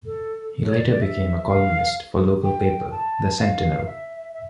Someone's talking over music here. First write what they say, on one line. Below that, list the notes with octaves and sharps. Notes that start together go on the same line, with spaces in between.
He later became a columnist for local paper, "The Sentinel".
A4
C#5
D5
D5
E5
F5
G5
A5
F5
E5
E5